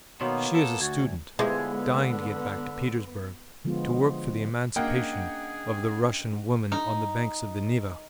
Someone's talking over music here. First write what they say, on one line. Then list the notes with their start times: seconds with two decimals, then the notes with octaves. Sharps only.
She is a student, dying to get back to Petersburg, to work for the emancipation of the Russian woman on the banks of the Neva.
0.21 B2 D#3 A#3 B3 F#4 C#5 C6
0.55 A4
0.80 D2 F#4 G#6
1.39 D3 E3 F3 G#3 B3 G4
3.65 D3 F3 G#3 B3 F4
4.76 A#3 C#4 D4 G#4 D#5 F#5 G5
6.72 D#4